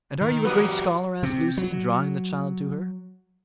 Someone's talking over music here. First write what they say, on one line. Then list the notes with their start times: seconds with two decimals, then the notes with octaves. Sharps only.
"And are you a great scholar?" asked Lucy, drawing the child to her.
0.21 D#3
0.45 G3 F#4 B4 D#6
1.23 C3
1.58 F#3